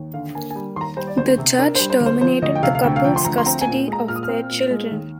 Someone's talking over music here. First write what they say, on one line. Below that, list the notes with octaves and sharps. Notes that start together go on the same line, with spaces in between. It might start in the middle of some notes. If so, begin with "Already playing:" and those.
The judge terminated the couple's custody of their children.
Already playing: D#2
D3 F5
A#3 G#5
G3 G#5
D#2 A#5 C6
G3 C5
D5
D2 C5
C5
C3
D4 A#4
G3 C5
C5
D2
C5
F3 C5
D2 D#5
G5
C3 F5
F5
D2 G5
F5
F3 G5
C6
D2 A#5
C6
C4 A#5
G#5
A#2
G#3 A#5
A#2 F6
D#6
F6
C4
A#2
G#3
D#2